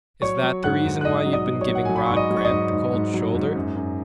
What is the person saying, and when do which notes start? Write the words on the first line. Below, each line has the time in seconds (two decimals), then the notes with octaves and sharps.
"Is that the reason why you've been giving Rod Grant the cold shoulder?"
0.22 F#3 C#5 C#6
0.43 F#3
0.64 G#2 F#5 F#6
0.85 G#2
1.01 F#6
1.05 G#2 D#5 D#6
1.26 F#3
1.33 D#5 D#6
1.47 F#3
1.61 C#5 C#6
1.68 F#3
1.75 F#5
1.85 F#3 G#5
1.96 B5
2.06 G#2 C#6
2.16 D#5 D#6
2.30 F#3
2.37 C#6
2.45 D#5 D#6
2.51 G#2
2.72 G#2
2.93 G#2
3.14 F#3
3.35 G#2
3.55 F#2
3.76 F#2